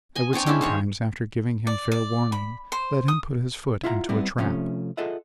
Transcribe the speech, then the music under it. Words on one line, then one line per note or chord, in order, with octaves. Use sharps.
I would sometimes, after giving him fair warning, let him put his foot into a trap.
D#5 G#5
C4 D4 C#5 G5
G#3 C#4 D4 E4
D#3 C5 C#5
D5
D5
B5
C5
D#6
E4 F4 E5 F#5 A5 A#5
G3 B3 C4 E4
C3 F3 A3 C#4
F4 G#4 A4 D#5 E5 F#5